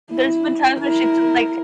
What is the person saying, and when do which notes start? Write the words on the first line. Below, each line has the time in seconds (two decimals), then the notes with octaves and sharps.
There's been times where she's like
0.12 E4
0.80 E4 A#4